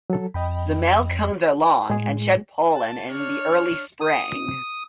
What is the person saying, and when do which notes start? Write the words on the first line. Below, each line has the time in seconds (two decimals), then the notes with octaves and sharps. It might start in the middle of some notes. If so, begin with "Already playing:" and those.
The male cones are long, and shed pollen in the early spring.
0.10 F#3 A4
0.34 F2 D#5 G5 B5
1.90 A2 G#3 G#4
2.73 A5
3.11 D4 C#5 F6
4.01 D#6